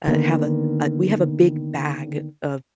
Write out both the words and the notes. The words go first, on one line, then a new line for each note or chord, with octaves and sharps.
uh, have a uh, we have a big bag of
D3 D#3 A#3 B3